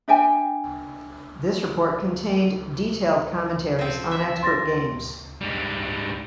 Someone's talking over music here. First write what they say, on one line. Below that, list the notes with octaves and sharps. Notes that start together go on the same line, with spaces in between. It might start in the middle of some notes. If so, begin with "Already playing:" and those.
This report contained detailed commentaries on expert games.
D4 E5 G5 G#5
F3 C4
E5
C6 A6 A#6
G#2 G3